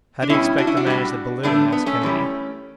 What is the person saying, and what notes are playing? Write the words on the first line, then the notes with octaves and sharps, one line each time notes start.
"How do you expect to manage the balloon?" asked Kennedy.
D4
B2 G3 C#4 E4
D4 F#4
C#4 E4
D4 F#4
A2 G3
G2 D3 A3 B3 D4
B3
A3 C#4
F#2 E3 G3